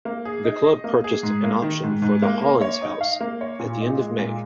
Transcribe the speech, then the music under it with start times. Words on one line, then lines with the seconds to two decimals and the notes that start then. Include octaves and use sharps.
The club purchased an option for the Hollins house at the end of May.
0.05 A#3
0.25 G#4
0.44 D#4
0.64 D#5
0.84 A#3
1.04 G#4
1.23 G#2
1.44 A#3
1.62 D#3
1.83 G#2
2.02 G#2
2.22 A#3
2.41 A#3
2.61 C#5
2.82 D#4
3.01 F5
3.21 A#3
3.41 C#5
3.59 A#2
3.80 D#4
3.99 G#3
4.19 A#2